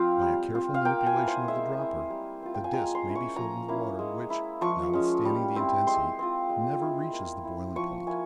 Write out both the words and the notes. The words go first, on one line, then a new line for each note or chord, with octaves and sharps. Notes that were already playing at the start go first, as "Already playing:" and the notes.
By a careful manipulation of the dropper, the disk may be filled with water which, notwithstanding the intense heat, never reaches the boiling point.
Already playing: F3 C4 F4 F5 G5
G3
C4 F4
F5
A#3 G5
G#5
E4
C5
G#3 E5
E4
G3
C4 F4
G5
G#5
G#3 A#5
C6
C#4 E4
C#6
F3 A#5
A#3 C#4 E4
G#3
E4
F3 C#6
G#3 C#4
G3
C4 E4
G#3 C6
C4 F4
G#3
E4
A#3
E4
F3 C#6
A#3 E4 G#5